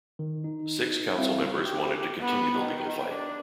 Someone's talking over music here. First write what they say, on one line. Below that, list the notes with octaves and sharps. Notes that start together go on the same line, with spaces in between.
Six council members wanted to continue the legal fight.
D#3
D#4
G3 C4 E4 E5 F5
G4
B3
D#3
D4